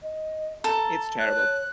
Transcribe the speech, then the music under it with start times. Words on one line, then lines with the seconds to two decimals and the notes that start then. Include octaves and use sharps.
It's terrible.
0.02 D#5
0.64 A4 A#5
1.19 C#5 F#6